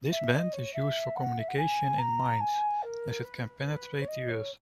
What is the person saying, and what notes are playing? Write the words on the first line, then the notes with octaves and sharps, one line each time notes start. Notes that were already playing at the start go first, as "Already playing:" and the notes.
This band is used for communications in mines, as it can penetrate the earth.
E5
D#5
C#5
E5
F#5
E5
F#5
G#5
A#5
G#5
A#4
B4
B4
C#5
D#5
C#5